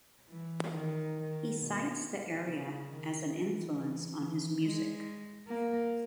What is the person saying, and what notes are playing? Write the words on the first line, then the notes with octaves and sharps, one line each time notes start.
He cites the area as an influence on his music.
E3
D#3
D#3
B2
C#3
D#3
E3
E3
E3
G#3
A#3